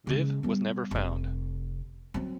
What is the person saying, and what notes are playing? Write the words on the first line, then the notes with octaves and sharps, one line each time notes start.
Viv was never found.
C#3 G#3
G3 B3
F1 C3
F#3 C4